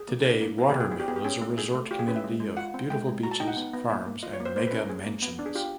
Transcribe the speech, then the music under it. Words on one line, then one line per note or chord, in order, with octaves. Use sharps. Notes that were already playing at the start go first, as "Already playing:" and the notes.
Today Water Mill is a resort community of beautiful beaches, farms and mega mansions.
Already playing: G#4
A#3
D4
A#3
B3 A#4
G4
B3
G#4
E4 G#4
G4
B3 G#4
G4
C#4 G#4
A3
A3 G#4
A3
F4 G4
G#4
C#4 B4
E5
G#3
G#3
F4 F#5
C4
G#3 G5
G#3
F#4 A#5
A5
D#4 G5
F#5
B3
B3
A#3 E5
A#3
F4 D#5
C#5
A#3
C5
A#3 C5
B4
C#4
A#4
C#4 G#4
A#3
B3
D4
G#4
F4 G4